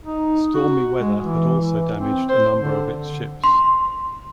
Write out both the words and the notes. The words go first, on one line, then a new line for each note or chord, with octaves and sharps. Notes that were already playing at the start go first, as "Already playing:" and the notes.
Stormy weather had also damaged a number of its ships.
D#4
F#4
G#3
E3
E3
C4
C5
D3
C6